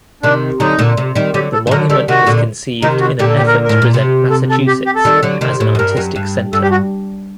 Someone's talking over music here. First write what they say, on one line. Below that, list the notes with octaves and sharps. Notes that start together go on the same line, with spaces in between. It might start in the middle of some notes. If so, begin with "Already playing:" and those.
The monument was conceived in an effort to present Massachusetts as an artistic center.
C3 D#3 D4
D3 F#3 D#4
A#2 D3
C3
D#3 G3
D3 F#3 G4
A4
D#3
D3 F#3 A#4
D#3 G3 A4
C3 D#3 F#4
A#2 D3
C3 D#3 D#4
F#4
A#2 D3 G4
A4
G4
A#4
A2 A#4
A#2
C3
A4
A4
G4
G4
A4
D#3 G3
D3 F#3
C3 D#3
A2
F#2
G2 A#4
F#2
G2
G2 A4
G4
F#4